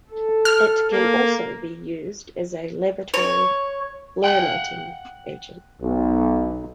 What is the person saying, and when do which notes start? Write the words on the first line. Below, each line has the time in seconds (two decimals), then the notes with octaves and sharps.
It can also be used as a laboratory fluorinating agent.
0.11 A4
0.45 F6
0.91 A#3
3.14 C#5
4.24 F#5 G5
5.80 B1